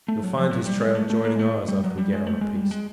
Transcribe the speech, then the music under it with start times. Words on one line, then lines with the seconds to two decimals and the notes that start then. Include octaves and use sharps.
You'll find his trail joining ours after we get on a piece.
0.08 A3
0.23 F#3
0.38 F3
0.51 F#3
0.66 G3
0.81 G#3
0.95 A3
1.10 A3
1.25 A#3
1.35 G#3
1.39 A3
1.68 G3
1.84 F#3
1.98 G3
2.12 G#3
2.27 A3
2.41 G#3
2.56 G3
2.71 G#3